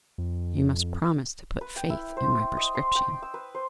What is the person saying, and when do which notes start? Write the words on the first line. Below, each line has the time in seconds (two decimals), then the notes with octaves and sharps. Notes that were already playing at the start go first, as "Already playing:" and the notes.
"You must promise to put faith in my prescription."
0.18 F2
1.61 B4
1.76 G5
1.90 E4
2.17 C5
2.40 G5
2.57 D#5
2.75 C6
2.95 G5
3.22 E6
3.34 B4
3.55 C5